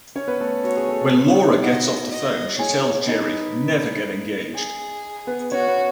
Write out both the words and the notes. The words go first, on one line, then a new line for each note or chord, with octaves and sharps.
When Laura gets off the phone she tells Jerry: Never get engaged.
C#4 C#5
B3 B4
A3 A4
F#4 C#5
G#4
A3 A4
A3 A4
B3 B4 C#5
D#4 D#5
E4 E5
F#4 D#5 F#5
D#5
G#4 C#5 G#5
D#4 B4 D#5
G#4
B3 B4
C#4 F#4 C#5
B3 B4